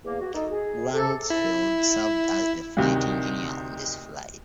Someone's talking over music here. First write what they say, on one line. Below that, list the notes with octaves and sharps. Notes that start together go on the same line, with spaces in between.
Grunsfeld served as the flight engineer on this flight.
E2 A#3
F#4
D#4 A4
G#4
C3 A4
E4
D2 C3 D#3